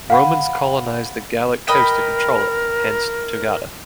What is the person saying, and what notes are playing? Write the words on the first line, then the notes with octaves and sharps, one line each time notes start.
Romans colonized the Gallic coast to control it, hence togata.
F5 F#5 B5
A#4 B4 D#5 G5